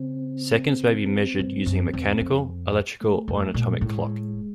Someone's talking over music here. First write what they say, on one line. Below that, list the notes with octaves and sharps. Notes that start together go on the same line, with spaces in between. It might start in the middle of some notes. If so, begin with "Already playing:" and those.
Seconds may be measured using a mechanical, electrical or an atomic clock.
Already playing: C#3 C4
G2
F#2
E2
F2
A3
F2
A#2
G3
A2 G#3